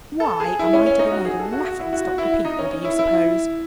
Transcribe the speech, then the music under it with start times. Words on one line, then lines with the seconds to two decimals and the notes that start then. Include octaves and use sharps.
Why, am I to be made a laughing-stock to people, do you suppose?
0.20 A4
0.40 G#4
0.59 E4
0.73 C#4
0.86 C#4
0.99 D#4
1.12 F#4
1.25 G#4
1.39 A4
1.53 F#4
1.65 F#4
1.79 E4
1.93 F#4
2.05 F#4
2.18 E4
2.45 D#4
2.59 C#4
2.71 C#4
2.84 E4
2.99 E4